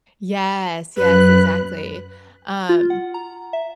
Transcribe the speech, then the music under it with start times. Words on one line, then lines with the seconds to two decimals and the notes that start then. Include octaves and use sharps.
Yes, yes, exactly. Um,
0.97 F#2 B4 F#6
2.69 F4
2.90 F#5
3.14 A#5
3.53 E5